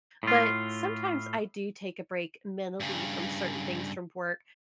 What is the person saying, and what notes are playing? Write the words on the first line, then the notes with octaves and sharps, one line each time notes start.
But sometimes I do take a break mentally from certain things from work,
A2 F4
G2 C#3